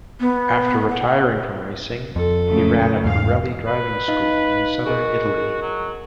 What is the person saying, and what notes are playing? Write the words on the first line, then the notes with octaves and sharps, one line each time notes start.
After retiring from racing, he ran a Pirelli driving school in southern Italy.
B3
F#5
F2 A4
F#2 C#3 A3
E2 G#2 F5
B4
D#4 D#5 F5
F#4 G#4 A#4 D#5
F#3